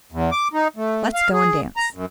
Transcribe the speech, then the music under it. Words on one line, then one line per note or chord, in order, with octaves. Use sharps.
Let's go and dance.
E2
D6
D#4
A3
F5
G#4
A#5
F#2